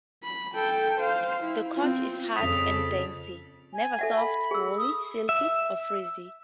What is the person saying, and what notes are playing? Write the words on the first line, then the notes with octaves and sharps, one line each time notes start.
The coat is hard and dense, never soft, woolly, silky or frizzy.
B5
A4 G5
C5 F5
E4
C4 F4
F2 C#3 A4 D#6 B6 F7
G#5
A4 E5 F#5
B5
G#4 E6
D#6
E5